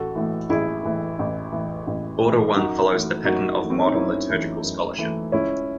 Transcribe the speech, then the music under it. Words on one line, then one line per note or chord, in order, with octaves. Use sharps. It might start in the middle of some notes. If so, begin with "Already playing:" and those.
Order One follows the pattern of modern liturgical scholarship.
Already playing: A1 F#4 A4
A2 E3
A1 E4 G#4
A2 E3
A1
A2 E3
A1
A2 E3
F#2 D#4 F#4
E3 A3
F#2 D#4 F#4
E3 A3
C4
C#4
D#4
F#2 C#4 E4
E3 A3
F#2
E3 A3
C#2 C#4 E4